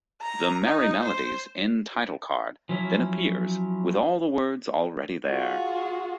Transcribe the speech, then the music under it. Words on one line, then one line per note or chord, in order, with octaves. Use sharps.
The "Merrie Melodies" end title card then appears with all the words already there.
A#5
D#4
C5
F3 F#3 C#4 E4
F4 F#4 G#4